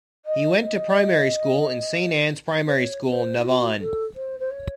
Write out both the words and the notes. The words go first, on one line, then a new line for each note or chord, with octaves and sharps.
He went to Primary School in St.Annes Primary School, Navan.
D#5
D#5
C5
C#5
C5
E4
F#4
A4
C5
C5
C#5